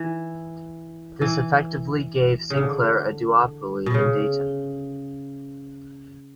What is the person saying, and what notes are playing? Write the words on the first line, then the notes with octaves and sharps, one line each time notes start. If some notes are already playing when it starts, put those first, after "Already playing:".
This effectively gave Sinclair a duopoly in Dayton.
Already playing: E3
E3
C#3
D3
B2
C#3